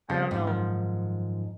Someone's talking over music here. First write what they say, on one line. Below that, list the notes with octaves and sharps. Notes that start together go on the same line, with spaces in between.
I don't know
C#3 G3 B3 C4
G#2 C4 D#4 G4
F#2 D#3 F3